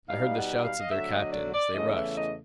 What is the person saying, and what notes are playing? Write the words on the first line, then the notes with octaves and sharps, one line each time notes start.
I heard the shouts of their captains; they rushed.
B2 G3 B3 D#4 F5
F#5
F5
D#5
D3 F#3 A3 E5
D#5
D5
D5
E2 C#3 E3 A3 D#5
E5
D#5